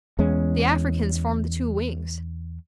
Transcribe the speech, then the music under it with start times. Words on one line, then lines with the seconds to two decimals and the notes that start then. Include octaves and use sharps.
The Africans formed the two wings.
0.19 E2 G#3 C#4